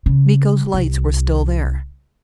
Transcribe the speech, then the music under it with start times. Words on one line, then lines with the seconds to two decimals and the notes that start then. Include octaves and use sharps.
Miko's lights were still there.
0.06 C#3
0.74 C2